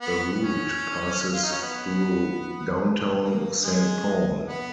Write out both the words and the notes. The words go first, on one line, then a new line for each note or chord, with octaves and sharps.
The route passes through downtown Saint Paul.
B3
C#4
F4
D#4
C#4
B3
A#3
G#3
B3